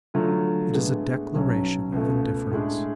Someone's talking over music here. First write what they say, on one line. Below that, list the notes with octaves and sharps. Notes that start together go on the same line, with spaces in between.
It is a declaration of indifference.
D3 F#3 A3 D4 F4
A2 G#3 B3 D4 G#4
B1 B2 F#3 C#4
C#2 B2 A3
A2 G#3 D4